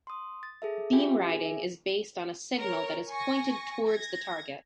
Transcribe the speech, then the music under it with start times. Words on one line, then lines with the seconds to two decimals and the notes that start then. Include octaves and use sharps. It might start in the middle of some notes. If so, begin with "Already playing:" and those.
Beam riding is based on a signal that is pointed towards the target.
0.07 C6 D#6
0.43 A6
0.62 G#4 A4 E5
0.92 C#4 F4 G4 E5 G5 G#5
1.30 G#4 G#5
1.45 E5
2.58 A#4 C#5
3.11 G#5 C#6 A#6
3.87 G#6 A#6